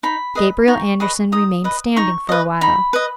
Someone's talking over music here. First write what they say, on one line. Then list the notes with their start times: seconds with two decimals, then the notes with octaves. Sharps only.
Gabriel Andersen remained standing for a while.
0.03 D#4 B5
0.35 G#4 B4 D#5
0.68 D#4 C#6
1.00 G#4 B4 D#5
1.32 D#4 D#6
1.64 B4 D#5
1.97 D#4 C#6
2.29 B4 D#5
2.61 D#4 B5
2.93 B4 D#5